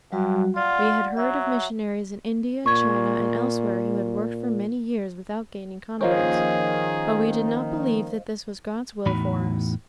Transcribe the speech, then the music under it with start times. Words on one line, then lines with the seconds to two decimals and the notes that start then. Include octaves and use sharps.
We had heard of missionaries in India, China, and elsewhere, who had worked for many years without gaining converts; but we did not believe that this was God's will for us.
0.12 G2 F#3 G3 F#4
0.56 F4 D5 F#5
1.17 F#3 E5
2.66 A#2 C#6 G#6
6.01 D#3 F3 A#3 C#4 G#4 C5 D#5 F5
9.06 E2 A2 D#4 F#4 B5